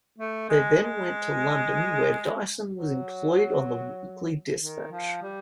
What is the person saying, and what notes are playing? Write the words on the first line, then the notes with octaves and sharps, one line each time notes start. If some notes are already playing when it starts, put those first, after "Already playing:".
They then went to London where Dyson was employed on the "Weekly Despatch".
A3
G#3
G#3
F#3
D#3
F3
G3